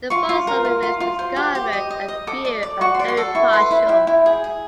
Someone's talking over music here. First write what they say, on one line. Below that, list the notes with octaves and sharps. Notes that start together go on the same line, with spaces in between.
The fossil remains discovered are few and very partial.
F4 C#6
F4
A#4
F4
F4
F4
C5
G4
G4
D#5
D#5
D#5
A4 D6
D5
D5
F#4 C#6
C6
D5
C6
A4
E4 C#6
B4 C6
E4 B5
E4 G5
E4
G#4
G#4